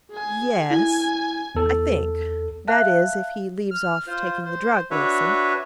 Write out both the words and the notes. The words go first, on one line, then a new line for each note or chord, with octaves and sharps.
'Yes, I think--that is, if he leaves off taking the drug, Wilson.'
G#4 G#5
E4 G#5
E2 A4
E5 F5 A5 F#6
F6
F4 C5
C5
D4 F#4 B4 C#5 E5